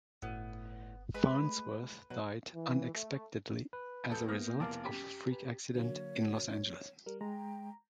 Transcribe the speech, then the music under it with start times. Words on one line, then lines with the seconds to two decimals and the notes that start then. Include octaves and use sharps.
Farnsworth died unexpectedly as a result of freak accident in Los Angeles.
0.22 G1 A2 B3
1.14 G#3 B4 B5
1.43 A3
2.10 B2 F#3 B4
2.54 E3
2.94 A3
3.73 B4
4.09 E1 A4 G6
4.28 A#3 B3 E4 D#6 F6 A#6
4.60 F1 A#4 F5 A5 D6
4.84 F#2 G4 B6
5.32 B4
5.75 D3 F#3 A#3 C#5
7.06 G3 A#4
7.21 G#3 G5 A#5